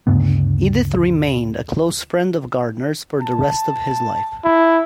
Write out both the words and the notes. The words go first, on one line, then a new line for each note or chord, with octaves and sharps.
Edith remained a close friend of Gardner's for the rest of his life.
D2 G2 C#3 B3
A5
E4